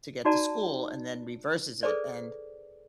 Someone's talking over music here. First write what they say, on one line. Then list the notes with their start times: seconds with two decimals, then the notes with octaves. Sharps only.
to get to school and then reverses it and
0.25 D#4 F#4 D5 A5 A#5
1.83 G#4 A4 B4 C5 D5